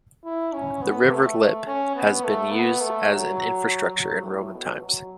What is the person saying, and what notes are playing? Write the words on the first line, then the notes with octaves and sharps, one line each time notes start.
The river Lippe has been used as an infrastructure in Roman times.
E4
C#4
B3
A3
A3
C#4
B3
A3
B3
A3
F#3
F#3
A2
B2
F#3